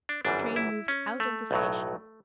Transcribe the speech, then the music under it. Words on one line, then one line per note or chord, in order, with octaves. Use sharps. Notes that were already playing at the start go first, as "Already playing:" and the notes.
The train moved out of the station.
D4
G1 F#2 E3 G3 D4
E4
C#4
A3
B1 A2 F#3